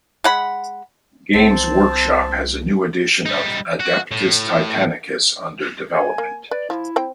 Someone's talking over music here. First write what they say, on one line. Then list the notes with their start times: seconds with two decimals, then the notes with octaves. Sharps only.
Games Workshop has a new edition of "Adeptus Titanicus" under development.
0.24 G#3 F#5 B5
1.35 C2 C4 A5
3.26 G3 D#4
3.80 F#4
4.11 A2
5.93 G#5
6.18 A#3
6.51 B4 D5
6.70 F3 E4
6.96 C4 C5 G5